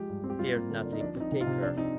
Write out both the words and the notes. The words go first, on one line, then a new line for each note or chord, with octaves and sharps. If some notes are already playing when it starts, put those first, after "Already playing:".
'Fear nothing, but take her.'
Already playing: F3 G#3 G4
G2
C4
G4
G3 F4
A#3
D3
D4
D#4
F3 D4
C4
D#4
C3
F4
C3
F3 D4
C4 D#4